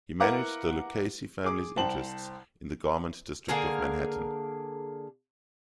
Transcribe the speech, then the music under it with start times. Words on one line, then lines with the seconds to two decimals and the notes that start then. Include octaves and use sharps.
He managed the Lucchese family's interests in the Garment District of Manhattan.
0.20 E4 A#4 B4 F5 F#5 D6
1.44 G#4 D6
1.76 C2 C5 G5 A5 F#7
3.48 D3 A#3 G#4 A#4